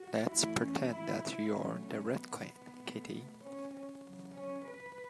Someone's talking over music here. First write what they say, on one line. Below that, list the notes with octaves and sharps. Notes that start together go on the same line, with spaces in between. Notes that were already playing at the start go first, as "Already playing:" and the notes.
Let’s pretend that you’re the Red Queen, Kitty!
Already playing: F#4
E2 E3 A3 E4
C#4
E4
E4
B2 F#3 A3 C#4
C#4
B3
B2 A3
C#4
E2 C#3 F#3
C#4
B4